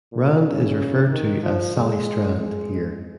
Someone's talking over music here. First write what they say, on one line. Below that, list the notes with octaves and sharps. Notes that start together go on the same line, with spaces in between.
Rand is referred to as "Sally Strand" here.
A#2
C#3
D#3
F3
G#3
G#3